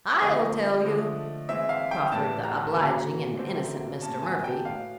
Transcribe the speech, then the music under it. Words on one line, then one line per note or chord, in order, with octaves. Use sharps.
"I'll tell you," proffered the obliging and innocent Mr. Murphy.
D3 F3 A3 C4 D#5
D3 F3 A3
E3 G#3 C4 E5
F5
G5
A2 E3 G3 B3 A5
A#5
D3 F#3 A#3 C#4
D3 F#3 A3 C4
A2 F#3 A#3 C#4 A5
G#5
G5
A2 F#3 B3 F5